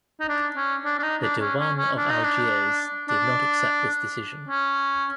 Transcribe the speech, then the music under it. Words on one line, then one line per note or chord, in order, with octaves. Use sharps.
The Diwan of Algiers did not accept this decision.
D#4
D4
C#4
D4
D4
D#4
D4
C#4
C#4
C#4
D4
D#4
D4
D4
C#4